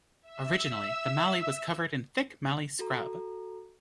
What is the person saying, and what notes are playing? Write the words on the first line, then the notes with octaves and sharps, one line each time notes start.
Originally the Mallee was covered in thick mallee scrub.
E5 E6
F#4 A4 A#5